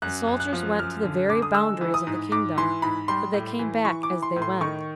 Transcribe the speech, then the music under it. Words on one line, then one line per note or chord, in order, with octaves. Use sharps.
The soldiers went to the very boundaries of the kingdom, but they came back as they went.
F#2 F#6
F#2
F#6
F3
F#2 F6
D3
D3 D6
D#6
G#3 E6
E3
D#6
G#2
G#2 D6
E3 C6
G#2 B5
G3 C6
A2
E3
E3 C#6
D6
E3
C6
A2
C6
D#3 C#6